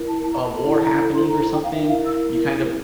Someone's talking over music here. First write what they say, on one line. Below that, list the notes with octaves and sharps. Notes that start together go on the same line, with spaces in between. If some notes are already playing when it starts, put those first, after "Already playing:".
a war happening or something, you kind of
Already playing: E4 A#4
A5
A5
A#5
A5
E4 A4 C5
A5
A#5
A#5
C6
A#5
A#5
G5
F5
E4 A#4 E5
F5
E6